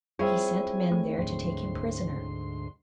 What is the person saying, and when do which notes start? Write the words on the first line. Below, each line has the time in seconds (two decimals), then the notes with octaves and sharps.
He sent men there to take him prisoner.
0.19 G3 C4 E4 F4 G#4 C#5 G#5
0.92 A3
1.17 D2 G#2 C6